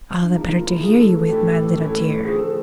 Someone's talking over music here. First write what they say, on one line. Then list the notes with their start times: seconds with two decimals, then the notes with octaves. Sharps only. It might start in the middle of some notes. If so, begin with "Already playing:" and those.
"All the better to hear you with, my little dear."
0.22 D4
0.34 C#2 C3 F3 A#3 D#4
0.50 F4
0.66 E4
0.81 D2 D3 F3 G#4
0.97 A4
1.13 A4
1.29 A2 E3 A3 D4 G4
1.76 A2 E3 A3 C#4
2.24 D3 F3 A3 C4 G#4
2.40 A4